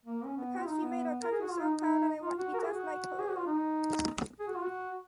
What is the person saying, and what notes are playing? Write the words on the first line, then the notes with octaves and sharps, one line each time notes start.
Because she made our country so proud and I want to be just like her.
A#3
C#4
B3
F4
D#4
B3
A#4
G#4
F#4
F4
D#4
D#4
F4
F#4
A#4
F#4
G#4
F#4
G#4
F#4
F4
D#4
G#4
F#4
F4
F#4